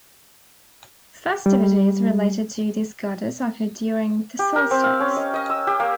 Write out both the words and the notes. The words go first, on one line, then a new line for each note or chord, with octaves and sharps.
Festivities related to this goddess occurred during the solstice.
G3
G4
A#4
C4
F5
C#4
D#5
D#5
E6
G4
A#3